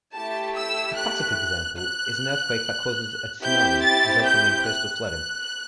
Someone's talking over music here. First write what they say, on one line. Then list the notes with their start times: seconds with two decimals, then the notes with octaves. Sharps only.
A classic example is an earthquake that causes a tsunami, resulting in coastal flooding.
0.14 A3 E4 G4 A5
0.55 E6
0.96 F#6
1.78 F#6
3.43 C4 E4 G4 G6
3.84 A6
4.25 G6
4.66 F#6
5.07 F#6